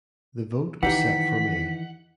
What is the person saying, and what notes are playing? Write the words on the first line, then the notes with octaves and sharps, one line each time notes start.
The vote was set for May.
D#3 E3 D#4 G4 F#5 B6